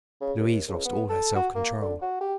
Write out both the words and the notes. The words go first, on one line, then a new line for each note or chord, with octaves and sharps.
Louise lost all her self-control.
C#3
D#2
C#2
B3
A4
F#4
A#3
D3
F#4
G4